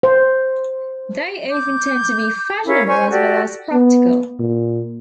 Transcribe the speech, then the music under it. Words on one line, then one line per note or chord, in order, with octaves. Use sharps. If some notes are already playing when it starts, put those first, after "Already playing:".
They often tend to be fashionable as well as practical.
C5
D6 G6
C#4 E4 A#4 F5
C#4 C5 G#5 C#6
F#4 G4 A4 D5
B3
A#2